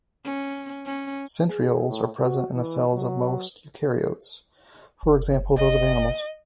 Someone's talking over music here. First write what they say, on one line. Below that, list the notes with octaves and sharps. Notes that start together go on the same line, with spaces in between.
Centrioles are present in the cells of most eukaryotes, for example those of animals.
C#4
C#4
G#4
A2
F#4
E3
F#3
F#1
F#1 D#5